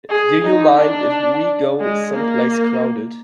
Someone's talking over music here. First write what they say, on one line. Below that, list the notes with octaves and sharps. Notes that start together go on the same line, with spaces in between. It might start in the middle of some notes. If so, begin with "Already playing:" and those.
Do you mind if we go someplace crowded?
G#4
D#4
D4
G#3
A#3